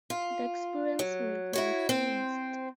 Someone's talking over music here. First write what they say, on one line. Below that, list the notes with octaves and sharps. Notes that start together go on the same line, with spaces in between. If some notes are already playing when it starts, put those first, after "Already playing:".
The experience made me a feminist.
F4
F#3
E4 F#4 C#5
C4 C5